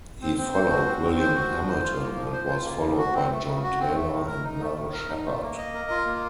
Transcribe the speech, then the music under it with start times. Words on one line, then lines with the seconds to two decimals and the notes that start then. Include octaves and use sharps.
He followed William Hamilton and was followed by John Taylor and Mel Sheppard.
0.21 C4
0.37 C4
0.53 C5
0.70 F#4
0.86 C4
1.02 C4
1.18 C5
1.35 F#4
1.51 F3
1.68 C5
1.84 F4
1.99 A#3
2.16 F3
2.32 C5
2.49 F4
2.64 A#3
2.81 C#3
2.97 F#4
3.14 C4
3.30 A3
3.46 C#3
3.63 F#4
3.79 C4
3.95 A3
4.11 A2
4.27 A#4
4.44 D#4
4.60 A3
4.76 A2
4.93 A#4
5.09 D#4
5.25 A3
5.41 A#3
5.57 D#5
5.74 A#4
5.90 F4
6.06 A#3